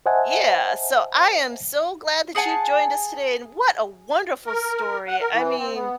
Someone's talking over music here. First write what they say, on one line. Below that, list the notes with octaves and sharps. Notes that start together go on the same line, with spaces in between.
Y yeah so, I am so glad that you joined us today, and what a wonderful story, I mean,
C5 D#5 E5 F#5 G#5 A5
G#4 F#5 G#5 A5
A#4
F#5
A#4
E3
C4
B3